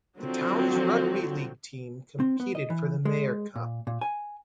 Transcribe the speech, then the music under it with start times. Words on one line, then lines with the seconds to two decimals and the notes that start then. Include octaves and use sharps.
The town's rugby league team competed for the Maher Cup.
0.18 D3 F3 F#3 C4 F#4
2.20 C4
2.40 B3
2.55 D#5
2.70 E3
3.05 G#3
3.55 A#2
3.87 A#2
4.01 G#5